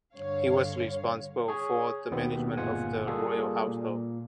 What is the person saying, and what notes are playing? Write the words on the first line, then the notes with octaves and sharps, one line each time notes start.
He was responsible for the management of the royal household.
G2 D3 C#5 F5
G#4 C#5
D#2 B2 D#3 B3 C4
G1 A#2 G#3 F4 F#5 G#5
G3 A#3 F4 G#4 A4
A#2